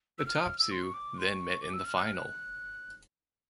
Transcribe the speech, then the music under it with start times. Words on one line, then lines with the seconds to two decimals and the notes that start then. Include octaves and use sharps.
The top two then met in the final.
0.18 E6
0.26 F6
0.59 E6
0.71 C6
0.83 C#6
0.93 D6
1.18 C6
1.28 C#6
1.62 D6
1.73 E6
1.85 F6
1.96 F#6
2.05 F6
2.14 F#6